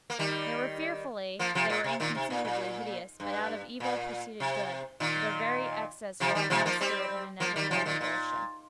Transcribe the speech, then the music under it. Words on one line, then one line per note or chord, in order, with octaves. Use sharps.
They were fearfully--they were inconceivably hideous; but out of Evil proceeded Good; for their very excess wrought in my spirit an inevitable revulsion.
A#3
D#3 G3
F3 A#3
C3 F3
A#2
C3
A#2 D#3
C3
A#2
A#2
G2
A#2
C3
A#2 D#3
C3 F3
D#3 G3
C3 F3
F3 A#3
G3 C4
F3 A#3
D#3 G3
C3 F3
A#2 D#3
A#2